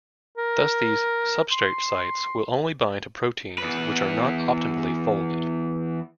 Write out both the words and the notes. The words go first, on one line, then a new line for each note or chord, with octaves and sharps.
Thus, these "substrate sites" will only bind to proteins which are not optimally folded.
A#4
C6
E2 B4